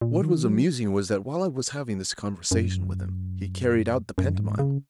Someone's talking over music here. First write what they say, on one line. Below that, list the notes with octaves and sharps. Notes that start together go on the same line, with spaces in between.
What was amusing was that while I was having this conversation with him, he carried out the pantomime.
A#2
D#3
F#3
F#2
F#2
G#2
C#3